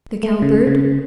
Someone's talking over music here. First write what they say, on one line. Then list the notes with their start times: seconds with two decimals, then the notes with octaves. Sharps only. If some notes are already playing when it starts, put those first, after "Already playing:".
The Cow Bird.
0.23 A3
0.42 C#3
0.67 C#3